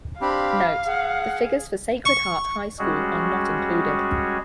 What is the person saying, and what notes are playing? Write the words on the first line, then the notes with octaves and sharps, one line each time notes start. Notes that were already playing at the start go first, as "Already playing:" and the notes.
Note: The figures for Sacred Heart High School are not included.
C4 D4 G4 F5 B5
G#4 F#5
C#6
G3 G#3 C#4 F#4 G#4